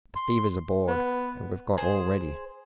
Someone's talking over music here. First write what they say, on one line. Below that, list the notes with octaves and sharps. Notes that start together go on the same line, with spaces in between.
The fever's aboard, and we've got all ready.
C6
B3
G#4 C5